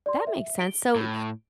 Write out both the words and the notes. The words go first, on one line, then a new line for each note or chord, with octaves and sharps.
That makes sense, so
D5 C6
E5
D7 G7
A2